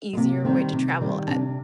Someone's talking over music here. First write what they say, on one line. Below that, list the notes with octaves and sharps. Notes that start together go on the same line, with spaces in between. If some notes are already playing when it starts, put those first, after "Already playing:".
easier way to travel at
G#3
C3 A#3
D#3 G3 C4
C3
D#3 G3
C3 D4